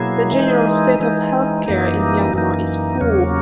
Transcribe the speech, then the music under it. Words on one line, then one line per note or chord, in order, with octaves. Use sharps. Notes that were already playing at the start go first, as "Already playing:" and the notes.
The general state of health care in Myanmar is poor.
Already playing: B2 F#3 A#3 E4 G#4
E3 G#3 D#4
E3 G#3 D#4
F#2 E3 A#3 D#4
F#2 E3 A#3 D#4
E2 C#3 F#3 A#3 C#4